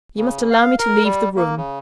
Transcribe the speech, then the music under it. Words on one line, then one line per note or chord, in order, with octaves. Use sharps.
You must allow me to leave the room.'
C#3
F5
A#4
G3
A#3
C#3